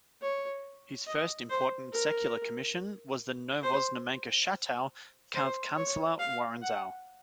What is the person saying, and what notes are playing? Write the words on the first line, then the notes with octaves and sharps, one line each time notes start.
His first important secular commission was the Novoznamenka chateau of Chancellor Woronzow.
C#5
D#5
C5
A#4
C5
C5
C#5
F5
F#5